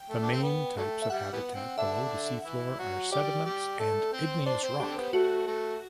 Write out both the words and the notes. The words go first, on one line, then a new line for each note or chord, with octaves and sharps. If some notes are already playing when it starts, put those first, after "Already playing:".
The main types of habitat below the seafloor are sediments and igneous rock.
Already playing: G5
A3
D4
C4
B3
D3 F#3 A3
E5
G3 F#5
E3 G3 B3
C4
D3 D4 E5
E3 E4
F#3 F#4
G3 G4 D5
G3 G4
A3 A4
C4 C5
D4 C5 D5
C4 C5
D3 D4 G4
C4
B3
A3 F#4
A3